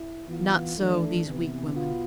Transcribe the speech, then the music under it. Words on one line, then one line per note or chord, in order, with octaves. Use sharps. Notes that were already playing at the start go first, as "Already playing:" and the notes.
Not so these weak women.
Already playing: E4
E3 B3 F4
E3 A3 D4
C3 E3 B3
B2 B3 F4